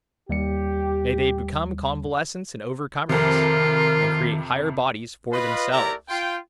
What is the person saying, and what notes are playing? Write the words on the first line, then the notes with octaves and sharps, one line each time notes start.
May they become convalescents and overcomers, and create higher bodies for themselves!
D#2 G3 G4 C#7
F2 C3 D#3 F4 A#4
F4 B4 D#5
A3 E4 G4 A#4 D5 A#5
F4 G5